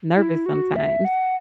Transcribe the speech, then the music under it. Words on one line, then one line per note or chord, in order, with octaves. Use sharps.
nervous sometimes.
E4
F#4
E5
F#5